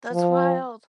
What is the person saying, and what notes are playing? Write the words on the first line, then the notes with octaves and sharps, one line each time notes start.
That's wild.
F3